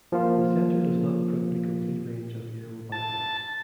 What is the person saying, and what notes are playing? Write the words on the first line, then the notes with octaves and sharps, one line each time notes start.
The centre does not print the complete range of euro banknotes.
F3 A#3 F4
A5